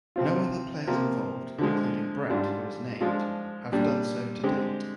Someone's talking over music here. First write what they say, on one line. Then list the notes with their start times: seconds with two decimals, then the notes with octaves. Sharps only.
No other players involved, including Brett who was named, have done so to date.
0.16 C3 F3 C4 F4
0.87 C3 F3 A#3
1.58 D3 F3 G#3
2.30 G#2 G3 D4 F4
3.01 F3 G#3 D4 F4
3.72 A#2 G3 D4
4.43 D3 G#3 C4 G4